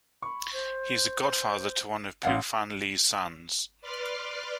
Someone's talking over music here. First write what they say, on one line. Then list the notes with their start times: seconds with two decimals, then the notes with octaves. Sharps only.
He is the godfather to one of Pui Fan Lee's sons.
0.22 B5 C#6
0.53 C5
2.23 A1 F5 F#5
3.81 B4 D5 C6 D6 F6